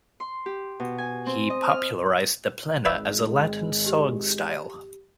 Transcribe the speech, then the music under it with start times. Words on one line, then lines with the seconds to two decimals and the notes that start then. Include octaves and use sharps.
He popularised the plena as a Latin song style.
0.20 C6
0.46 G4
0.80 B2
0.98 G#5
1.26 C4
1.50 D#5
1.66 F6
2.85 G#1 G#3 B4 D5 E5
3.86 G4